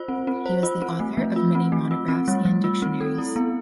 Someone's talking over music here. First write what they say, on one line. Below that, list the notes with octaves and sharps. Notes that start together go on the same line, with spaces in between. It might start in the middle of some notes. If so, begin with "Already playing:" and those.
He was the author of many monographs and dictionaries.
Already playing: F4 C5
C4
C4
C5
F4
C4
A3
F3
F4
C4
A3
F4
C4
G3
G3
F4
C4
A4
E4
B3